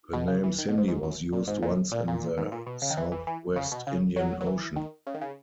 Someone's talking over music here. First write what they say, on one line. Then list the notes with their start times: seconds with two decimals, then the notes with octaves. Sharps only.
The name Cindy was used once in the Southwest Indian Ocean.
0.13 B2
0.28 C#3
0.43 E3
0.58 D#3
0.68 B2
0.78 G#2
0.88 G#2
1.03 F#2
1.33 A#2
1.47 G#2
1.62 A#2
1.92 A#2
2.08 A#2
2.38 G#2
2.52 A#2
2.67 B2
2.82 C#3
2.90 D#3
2.97 E3
3.12 E3
3.27 E3
3.56 C#3
3.72 B2
3.87 C#3
4.16 F#3
4.41 F#3
4.46 E3
4.76 D#3
5.07 C#3
5.14 D#3
5.22 C#3